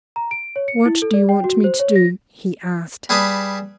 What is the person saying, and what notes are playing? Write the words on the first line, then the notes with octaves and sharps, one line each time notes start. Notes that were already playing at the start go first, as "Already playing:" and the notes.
"What do you want me to do?" he asked.
A#5
D7
C#5
C#7
E4
A4
D5
G5
F#4
C5
C#5
A#6
G3 G#4 B4 A5 D#6